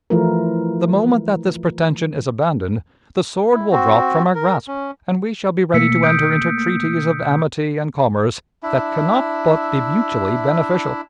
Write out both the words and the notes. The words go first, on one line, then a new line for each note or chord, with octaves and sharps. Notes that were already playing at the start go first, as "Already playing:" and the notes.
The moment that this pretension is abandoned, the sword will drop from our grasp, and we shall be ready to enter into treaties of amity and commerce that can not but be mutually beneficial.
E3 F3 A3 E4 F4 A#4
E4
C4 F#4
A#4
C#4
B2 A3 A#3 E6 B6 C#7
D#6 G6 D7
D4 E4 E5